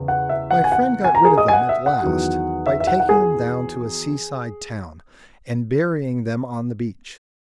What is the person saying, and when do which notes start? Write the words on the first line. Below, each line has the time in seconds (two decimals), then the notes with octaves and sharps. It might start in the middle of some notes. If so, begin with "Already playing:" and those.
My friend got rid of them, at last, by taking them down to a sea-side town, and burying them on the beach.
Already playing: E2 C#3
0.08 F#5
0.29 E5
0.51 F#5
0.64 G#5
0.72 F#5
1.04 G#5
1.15 A#5
1.25 G#4 G#5
1.37 D#5 D#6
1.48 G#5
1.53 F#5
1.69 E5
1.86 F#5
2.01 E2 D#3 F#3
2.66 E5
2.80 E5
2.87 F#5
3.00 F#5
3.09 G#4 G#5